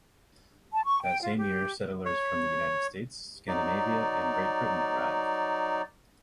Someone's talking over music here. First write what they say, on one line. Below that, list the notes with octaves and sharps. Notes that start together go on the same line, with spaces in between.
That same year settlers from the United States, Scandinavia and Great Britain arrived.
A5
C#6
G5
F4
G4
C#5
F#3 D#4 D5